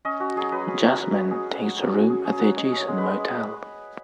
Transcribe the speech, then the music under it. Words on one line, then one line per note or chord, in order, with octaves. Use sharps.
Jasmin takes a room at the adjacent motel.
C#4 D#5
C#4 F#4
F#3 G#4
F#3 B4
C#4
C#4
F#3
F#3
C#4 G#4
C#4
F#3
F#3
C#4 F#4
C#4 G#4
F#3 G#4
F#3 F#5
C#4 D#5
C#4 C#5
G#3
G#3 B4